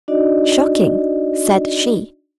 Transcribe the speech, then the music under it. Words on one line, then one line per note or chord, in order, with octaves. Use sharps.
"Shocking!" said she.
D4 D#4 F#4 D5 D#5